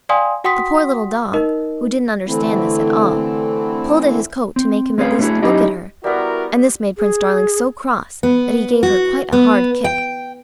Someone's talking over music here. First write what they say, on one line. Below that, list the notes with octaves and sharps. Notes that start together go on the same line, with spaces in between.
The poor little dog, who didn't understand this at all, pulled at his coat to make him at least look at her, and this made Prince Darling so cross that he gave her quite a hard kick.
D5 F5 G5 G#5 C6 D#6
F#4 F#5 G5 C6 D#6 B6
D#4 A#4 D#5
D3 E3 A3 C4 E4
C4
A3 C4 C#4 G#4 B4 F5
G3 A3 D4 E4 F#4 G#4
F#3 C#4 D#4 E4 G4 D#5
G3 B3 E4 F#4 A#4
G#4
B3
F#4
B3
G5